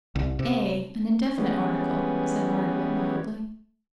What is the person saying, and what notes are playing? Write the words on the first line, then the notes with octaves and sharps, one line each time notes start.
'A, an indefinite article,' said Margaret, mildly.
C2
C3
E3 G3 G#3 B3 C#4